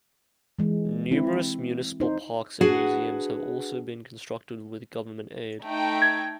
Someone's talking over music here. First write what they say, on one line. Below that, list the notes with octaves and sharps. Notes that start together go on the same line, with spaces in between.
Numerous municipal parks and museums have also been constructed with government aid.
E3 G#3
C4 E4
D#4 C5
D4 F#4 G#4 B4 F#5
A3 D#4 G5
G#6